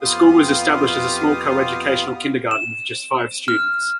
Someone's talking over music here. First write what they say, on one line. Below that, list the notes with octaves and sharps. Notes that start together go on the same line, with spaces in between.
The school was established as a small co-educational Kindergarten with just five students.
F2 B3 F4 G4 F5 D#6
E7
F6